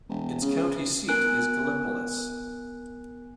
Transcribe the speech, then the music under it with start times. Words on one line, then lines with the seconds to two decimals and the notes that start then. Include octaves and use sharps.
Its county seat is Gallipolis.
0.09 E1
0.41 C#3
1.08 B3 A#4 G#5 F#6 D7